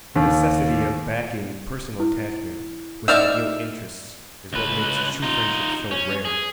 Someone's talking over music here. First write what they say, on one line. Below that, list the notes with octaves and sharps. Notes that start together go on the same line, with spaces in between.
The necessity of backing personal attachment with ideal interests is what makes true friendship so rare.
D#2
E4
D#4 D5 E5 E6 F6
C#2 B4
D#4 F4
C#4
G#4